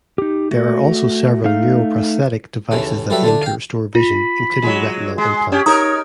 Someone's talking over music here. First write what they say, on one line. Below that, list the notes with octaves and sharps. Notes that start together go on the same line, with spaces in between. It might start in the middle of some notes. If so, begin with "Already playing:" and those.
There are also several neuroprosthetic devices that aim to restore vision, including retinal implants.
D#4 G4
A3 F#4
A3 D#4 F5
D#2 C#3 E3 A3
F#3 G3 A3 A#3 B4 E5
D3 A3 D4
F5 G5
F4 B5
F#3 G#3
G#3 C6
C#4 G4 G#4
D#4 A4 A#4 C#5 A#5 D#6